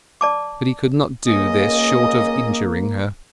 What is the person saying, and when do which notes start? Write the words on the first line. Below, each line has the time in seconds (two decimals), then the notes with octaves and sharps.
But he could not do this short of injuring her.
0.21 D5 A5 D6
1.27 C#2 A#3 C#4 D#5